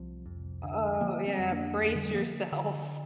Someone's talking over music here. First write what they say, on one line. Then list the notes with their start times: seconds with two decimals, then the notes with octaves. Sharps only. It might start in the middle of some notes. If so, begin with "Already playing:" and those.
Oh, yeah. Brace yourself.
Already playing: C2 C3 F3
0.26 F2
0.64 D3
1.01 D3 F3 A#3
1.26 G3 C4
1.39 F2
1.51 A#3 D4
1.77 D2
1.95 D3 G3
2.08 G3
2.14 D3 F3 A#3
2.52 D3